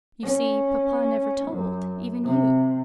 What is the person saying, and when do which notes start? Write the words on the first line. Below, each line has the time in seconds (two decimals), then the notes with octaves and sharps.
You see, papa never told, even you.
0.23 C#4
1.48 F#2
2.23 C3